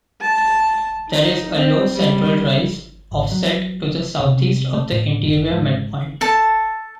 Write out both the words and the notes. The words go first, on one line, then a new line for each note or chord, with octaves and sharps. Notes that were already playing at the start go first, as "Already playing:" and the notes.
There is a low central rise, offset to the southeast of the interior midpoint.
A5
D#4
C4
G3
G#1
F#3
C3
A3
A2
F#1
G#2
A4 A5